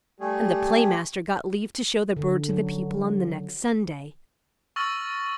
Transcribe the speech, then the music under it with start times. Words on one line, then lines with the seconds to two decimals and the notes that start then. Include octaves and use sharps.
And the Play-master got leave to show the bird to the people on the next Sunday.
0.20 G3 A3 G4 G#4
2.17 D3
2.49 F#3
4.76 C#6 E6 F6 A6 A#6 F#7